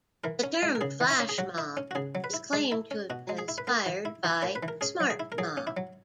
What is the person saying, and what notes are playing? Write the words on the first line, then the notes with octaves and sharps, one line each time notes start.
The term "flash mob" is claimed to have been inspired by "smart mob".
E3 A#4
C#4
G#3
A#4
C#3 G#4
E3
E4
C#4
G#4
F#3 F#4
E4
C#4
F#4
C#3 G#4
F#3
B4
E4
G#3 G#4
E4
C#4
B2 F#4
G#3
G#4
E4
B4
A#3 A#4
E3
E4
E3
A#3 C#5
B4
E3
A#4
C#4 G#4
F#3
G#4
E4
A#4
F#3 G#4
C#4
E4
F#3